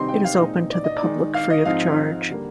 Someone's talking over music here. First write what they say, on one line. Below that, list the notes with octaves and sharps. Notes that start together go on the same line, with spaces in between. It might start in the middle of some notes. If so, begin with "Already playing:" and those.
It is open to the public free of charge.
Already playing: C3 D#3 G3 C4 D#4 C6
G5
F5
A#2 G#3 C4 D#4 D#5
D5
D#5
D5
D#3 G#3 D#4
F5
D#5
G#2 F3 C4 D#4 F5
D3 G3 A#3